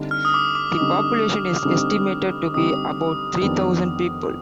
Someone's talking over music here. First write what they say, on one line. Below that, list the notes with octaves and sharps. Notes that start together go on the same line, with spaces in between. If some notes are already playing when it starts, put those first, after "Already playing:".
The population is estimated to be about three thousand people.
Already playing: D3 G3 C4 D#4
F6
D#6
D6
D6
D3 G3 C4 D#4 D6
D3 G3 C4 D#4
D3 G3 C4 D#4 D#6
F2 D#3 B3 D4 G4